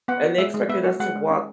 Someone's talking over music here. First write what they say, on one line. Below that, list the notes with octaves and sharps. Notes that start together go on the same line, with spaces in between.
and they expected us to walk
B3 F#5
F#4
G#3 E5
G#3
B3 E5
F#4
G#3 F#5
G#3
C#4